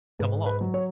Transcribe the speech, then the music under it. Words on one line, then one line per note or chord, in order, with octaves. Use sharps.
"Come along."
G#2 B4
B4
F#3
C#5